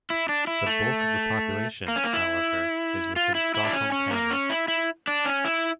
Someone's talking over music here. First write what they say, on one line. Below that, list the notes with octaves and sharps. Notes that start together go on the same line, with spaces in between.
The bulk of the population, however, is within Stockholm County.
E4
D4
E4
A3
A#3
C#4
A#3
E4
F4
E4
E4
D4
C#4
C#4
A#3
C#4
E4
E4
D4
C#4
E4